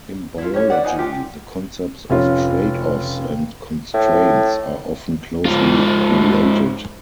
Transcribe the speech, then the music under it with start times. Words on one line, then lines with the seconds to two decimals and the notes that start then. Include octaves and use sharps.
In biology, the concepts of tradeoffs and constraints are often closely related.
0.38 E4 F4
0.54 C#4 G4 C#5
0.70 B4 D5 F#5
0.84 D#4 F5 F#5 G#5
0.97 F4 G4
2.10 F1 C#4 F4
3.94 A2
5.45 G#2 F4